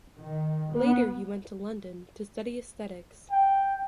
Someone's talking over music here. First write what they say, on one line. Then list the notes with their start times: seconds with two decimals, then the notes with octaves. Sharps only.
Later he went to London to study aesthetics.
0.18 D#3
0.72 B3
3.31 G5